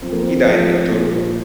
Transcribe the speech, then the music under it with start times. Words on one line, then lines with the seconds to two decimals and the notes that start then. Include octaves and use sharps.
He died in Turku.
0.02 F3 C4
0.12 A#3
0.22 C4
0.47 F3
0.91 A#2